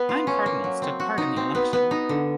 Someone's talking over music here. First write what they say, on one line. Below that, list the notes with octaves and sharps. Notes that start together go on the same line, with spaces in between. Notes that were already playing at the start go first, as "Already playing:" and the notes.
Nine cardinals took part in the election.
Already playing: B3
F4
C#4
A#3
F#3
C4
F#4
D#4
C4
B3
B3
D#4
D3